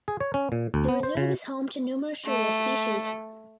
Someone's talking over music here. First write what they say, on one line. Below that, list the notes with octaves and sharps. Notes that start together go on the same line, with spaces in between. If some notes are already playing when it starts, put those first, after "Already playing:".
The reserve is home to numerous "Shorea" species.
G#4
C#5
C#4
A#2
D2
B3
C5
C#3
A3